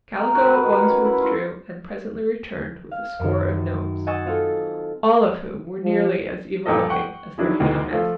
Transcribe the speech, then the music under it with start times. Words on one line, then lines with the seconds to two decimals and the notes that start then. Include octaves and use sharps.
Kaliko at once withdrew and presently returned with a score of nomes, all of whom were nearly as evil looking as their hated master.
0.18 A#4
0.34 F#4
0.47 B4
0.63 D#3
0.78 F#5
0.89 C#4
1.05 E4
1.22 F4
2.91 F5
3.19 F#2 D#3
4.07 D#5 F#5 G#5 C#6 E6 A6
4.25 C4 F4 A4
5.84 F3
6.66 G2 A#2 F3 A4 D#5
6.90 F#5 G5 C#6
7.38 D#3 F#3 D4 E4 G#4
7.60 A1 D2 G#2 B2
7.91 F3 A3 F4